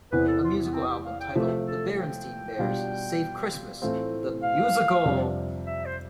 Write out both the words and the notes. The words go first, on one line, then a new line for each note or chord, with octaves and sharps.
A musical album titled The Berenstain Bears Save Christmas: The Musical!
E2 C3 E3 B3 B4
A4
F4
B3
C4
G4
F5
G5
C3 F3 A3 E5
A4
G5
B2 G3 D4 F4
A2 E3 A3 C4 F4
F5
F2 C3 G3 D4
E5
C5